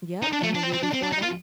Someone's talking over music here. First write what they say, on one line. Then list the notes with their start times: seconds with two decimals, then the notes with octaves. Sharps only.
Yep, and the year before that.
0.22 D#4
0.33 D4
0.43 A3
0.54 D4
0.63 C4
0.73 C4
0.83 D4
0.93 C4
1.03 D4
1.13 D#4
1.23 F4